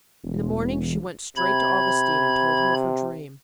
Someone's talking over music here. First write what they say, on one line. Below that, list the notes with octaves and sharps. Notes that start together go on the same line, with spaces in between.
In the morning she went straight to Augustine and told him of her dream.
E1
C3 B5 G#6